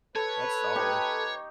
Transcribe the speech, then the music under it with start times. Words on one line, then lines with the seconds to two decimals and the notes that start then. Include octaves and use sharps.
that's solid.
0.15 A4 B4 C#5
0.75 D#4 G4 C#6